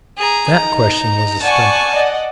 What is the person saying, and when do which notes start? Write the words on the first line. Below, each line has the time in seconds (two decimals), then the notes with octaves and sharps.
That question was a stumper.
0.17 G#4 A#5
0.52 D#4 A#5
1.42 D5 F#5 G#5 A5 C#6
1.93 D5 D#5 F#5